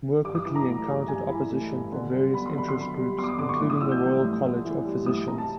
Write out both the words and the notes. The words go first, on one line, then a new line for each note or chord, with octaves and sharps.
Moore quickly encountered opposition from various interest groups, including the Royal College of Physicians.
G2 D6
D#6
E3 D6
A#5
A3
G2
G2 G#5
E3 B5
A3
G2
D3
G3
B3 B5
C6
D3 B5
C6
D3 B5
G3
B3 C6
D6
D#6
D3 D6
C#6
A2 D6
D#6
E3 E6
G6
G3
A2
A2
E3
G3
A2 D#6
C3 A#5
A5